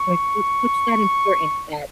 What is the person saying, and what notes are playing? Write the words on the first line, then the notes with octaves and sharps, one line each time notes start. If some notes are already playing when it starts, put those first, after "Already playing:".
Like, wh what's that important that
Already playing: C#6